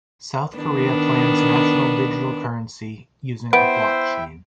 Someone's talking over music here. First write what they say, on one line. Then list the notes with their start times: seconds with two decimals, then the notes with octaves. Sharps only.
South Korea plans national digital currency using a Blockchain.
0.57 D#3 B3 D4
3.53 B3 E4 C5 E5 G5 D7